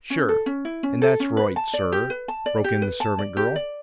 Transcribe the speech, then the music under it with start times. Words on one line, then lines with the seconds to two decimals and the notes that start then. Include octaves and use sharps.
"Sure, and that's roight, sur," broke in the servant girl.
0.10 C#4
0.29 A4
0.46 C#4
0.65 E4
0.83 C#4
1.02 A4
1.20 C#4
1.37 B4
1.56 A5
1.73 D5
1.92 G4
2.10 B4
2.28 A5
2.46 D5
2.64 G4
2.82 B4
3.00 A5
3.19 D5
3.37 G4
3.56 D5